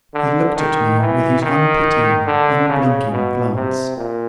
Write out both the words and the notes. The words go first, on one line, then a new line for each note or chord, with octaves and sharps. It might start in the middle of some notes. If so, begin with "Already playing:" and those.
He looked at me with his unpitying, unblinking glance.
D3
D#3
E3
D#3
D3
C#3
B2
C3
A#2